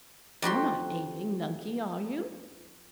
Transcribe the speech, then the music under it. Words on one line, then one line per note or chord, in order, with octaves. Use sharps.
You're not ailing, Nunkie, are you?
F2 F#4 G4 C6